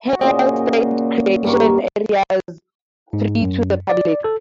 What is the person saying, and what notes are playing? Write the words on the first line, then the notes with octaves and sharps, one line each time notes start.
Heiau State Recreation Area is free to the public.
F#4
A#2 C#3 C5 D#5
G2 D#3 A#3 C#6
G#2
F#2
D5
A4